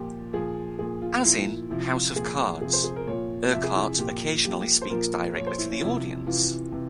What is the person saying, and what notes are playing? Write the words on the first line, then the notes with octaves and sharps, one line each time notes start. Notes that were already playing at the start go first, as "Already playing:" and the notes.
As in "House of Cards", Urquhart occasionally speaks directly to the audience.
Already playing: A#2 F3 G4
A#2 F3 G#4
A#2 F3 G#4
F4
A#2 F3 E4
C3 F3 E4
F4
A#2 F3 G#4
C3 F3 G#4
C5
G#4
A#4
A#2 F3 C#5
C3 F3 E5
G#4
E4
A#2 F3 G4
A#2 F3 G4
C5
A#2 F3 A#4
A#2 F3 C#5
C5
E4
C#4
C3 F3 E4
C3 E3 F4
C3 E3